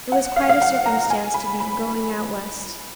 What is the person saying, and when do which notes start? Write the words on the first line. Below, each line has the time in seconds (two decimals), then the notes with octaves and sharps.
It was quite a circumstance to be "going out West."
0.12 F#5
0.36 F5
0.49 F5
0.61 F#5
0.86 A#5
1.10 G#5
1.34 B5
1.60 B5